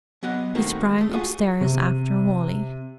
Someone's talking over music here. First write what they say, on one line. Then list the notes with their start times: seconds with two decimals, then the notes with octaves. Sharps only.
He sprang upstairs after Wally.
0.23 F#3 B3 D#5 F#5
0.55 G2 D#3 A3 A#3 C4 F#4
0.98 G#3 A3
1.11 F4 F#4 G#4
1.61 C3